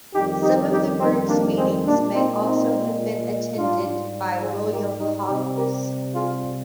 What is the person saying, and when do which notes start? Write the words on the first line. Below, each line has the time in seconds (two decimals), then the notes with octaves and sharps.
Some of the group's meetings may also have been attended by William Hogarth.
0.14 F2 D#3 G3 D#4 G4
0.42 D#4 G4
0.72 D#4 G4
1.00 C4 D#4
1.28 A#3 D4
1.57 G#3 C4
1.85 A#2 G#3 A#3 D4
2.14 C4 D#4
2.42 C4 D#4
3.57 G#2 G3 D4 F4
4.42 F4 G#4
4.71 G4 A#4
5.00 D#4 G4
5.28 C3 G3 D#4 G4
5.57 G4 A#4
6.14 F4 G#4